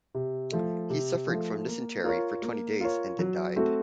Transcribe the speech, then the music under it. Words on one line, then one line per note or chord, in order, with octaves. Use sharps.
He suffered from dysentery for twenty days and then died.
C3
F3 A3
C3
F3 A3
A#3
F4 A#4 C#5
A#3
F4 A#4 C#5
F#3
A3 C4 F#4 A4